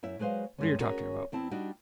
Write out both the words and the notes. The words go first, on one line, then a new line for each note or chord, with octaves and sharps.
What are yer talking about?
F#2 E4 E5
F#3 G#3 B4 C5 F5
G2 G#3 C#4
C#4 F#4 G#4 A#4 C#5
E2 C4 E4 A5
G3 D4 D#4 F#4